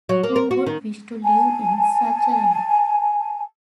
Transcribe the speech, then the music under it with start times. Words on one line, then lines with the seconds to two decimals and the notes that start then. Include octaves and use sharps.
Who would wish to live in such a land?
0.09 F#3
0.23 A#3
0.36 A#4
0.51 F#4
0.66 D#3
1.24 G#5 A5